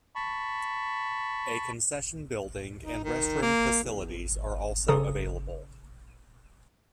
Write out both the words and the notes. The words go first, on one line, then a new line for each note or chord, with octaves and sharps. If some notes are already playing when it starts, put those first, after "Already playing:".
A concession building and restroom facilities are also available.
A5 B5 C#6
D#4
D#3
A#3
E2
C#3 A4 A#5 D#6